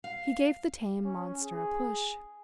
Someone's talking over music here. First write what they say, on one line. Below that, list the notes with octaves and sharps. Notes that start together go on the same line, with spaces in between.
He gave the tame monster a push.
F5
C#4
G#4